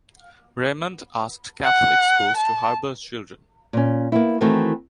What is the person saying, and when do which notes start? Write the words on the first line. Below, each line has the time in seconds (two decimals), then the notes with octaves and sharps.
Remond asked Catholic schools to harbor children.
1.64 F#5
2.37 A5
3.73 A#2 C#4
4.12 A#3 B3 E4
4.41 D#3 E3 A3 C4 F#4 A#4